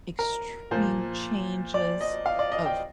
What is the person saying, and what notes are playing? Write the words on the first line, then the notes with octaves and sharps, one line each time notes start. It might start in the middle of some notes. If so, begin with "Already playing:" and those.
extreme changes of
A#4
A#2 F3 A#3 C5
D5
D#5
F5
D5
D#5
G5